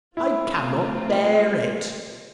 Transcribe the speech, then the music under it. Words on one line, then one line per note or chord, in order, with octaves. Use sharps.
"I cannot bear it!"
A3 C4 E4 F4